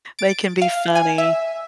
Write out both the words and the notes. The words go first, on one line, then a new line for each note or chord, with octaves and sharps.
They can be funny.
A6 D7
F5
G#5
E5